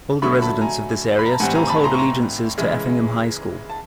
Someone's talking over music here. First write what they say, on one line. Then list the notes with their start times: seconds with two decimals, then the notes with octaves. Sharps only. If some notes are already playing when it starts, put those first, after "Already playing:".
Older residents of this area still hold allegiances to Effingham High School.
0.22 D3 F#3 A3 B5 C#6
0.42 A5 B5
0.61 G#5 A#5
1.19 B5
1.26 A#5
1.33 A5
1.40 A2 E3 G3 C4 F#5 G#5
1.55 G#5 A#5
1.69 A5 B5
1.84 A#5 C6
1.94 C#6
1.99 A#5 C6
2.58 C#3 E3 G#3
3.70 A5